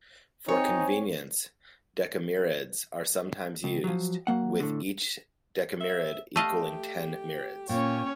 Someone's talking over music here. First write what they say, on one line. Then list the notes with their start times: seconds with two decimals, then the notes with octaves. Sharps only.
For convenience, "decamireds" are sometimes used, with each decamired equaling ten mireds.
0.48 C4 D#4 C#5 G#5
3.64 C#2
3.84 F3 F#3
4.27 F#3 A#3 F#5
4.60 A2 D3
5.81 E5
6.36 A3 G4 D#5 F5
7.69 A#2 C#4 C#5 G5